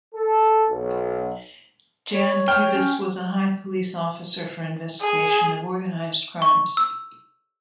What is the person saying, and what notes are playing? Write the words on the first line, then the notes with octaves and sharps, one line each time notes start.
Jan Kubice was a high police officer for investigation of organized crimes.
A4
B1
C#5
G5 F6 G7
C#4
G#4
C#6
E6